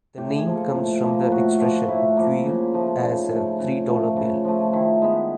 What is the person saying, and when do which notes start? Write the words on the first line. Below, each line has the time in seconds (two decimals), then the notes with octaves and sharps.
The name comes from the expression "Queer as a three dollar bill".
0.17 A2 G4
0.37 G#4
0.46 F3 A#3
0.56 A4
0.75 A2
1.03 F3 A#3
1.31 A2 F#4
1.60 F3 A#3
1.88 A2 E4
2.17 F3 A#3
2.45 C#3
2.74 F3 A3
3.02 C#3 D#4
3.31 F3 A3
3.59 C#3
3.88 F3 A3
4.16 C#3
4.45 F3 A3
4.73 D#3 E4
5.02 G#3 B3